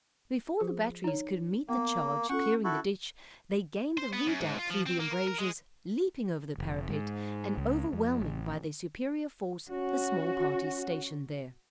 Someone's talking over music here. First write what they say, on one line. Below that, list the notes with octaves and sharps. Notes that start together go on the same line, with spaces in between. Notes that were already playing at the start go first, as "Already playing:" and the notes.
Before the batteries could meet the charge, clearing the ditch, they gained the redoubt through the embrasures, leaping over the parapet, and overwhelming by their superior force the small party stationed there.
F3 F4 G#4
D#4 C#5
A#3 B3
C#4 F4 A4 F#5 C#6
E4 F#4 A4 C#6
C5
B3
F#2
G#2
F4
F3
C4
A#3
A#4
A#4
G#3
F1
G#2
C#2
F2
A1
C#4 F#4